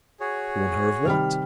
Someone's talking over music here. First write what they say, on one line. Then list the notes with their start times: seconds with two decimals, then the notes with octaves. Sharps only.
Warn her of what?
0.20 F#4 G#4 C#5
1.05 C3 D#3 G3 B5 F6